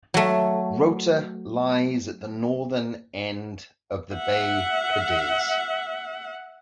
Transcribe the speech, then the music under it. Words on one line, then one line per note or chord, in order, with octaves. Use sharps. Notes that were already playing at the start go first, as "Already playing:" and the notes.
Rota lies at the northern end of the bay Cádiz.
F#3 A3
E5 F#5